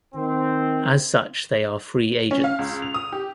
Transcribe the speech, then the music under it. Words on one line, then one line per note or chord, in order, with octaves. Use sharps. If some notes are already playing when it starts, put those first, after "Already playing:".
As such they are free agents.
D#3 C4
C#4
F5
C#2
F7
D#6
G4